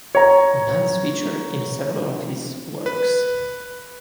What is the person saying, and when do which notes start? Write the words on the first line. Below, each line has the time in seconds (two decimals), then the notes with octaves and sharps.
Nuns feature in several of his works.
0.15 C#5 A#5
2.86 B4